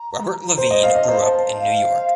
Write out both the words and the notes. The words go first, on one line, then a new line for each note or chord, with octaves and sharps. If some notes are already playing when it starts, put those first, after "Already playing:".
Robert Levine grew up in New York.
Already playing: A#5
C5
D#5
F5
D#5
A5
C5 A#5
A5
A5
F5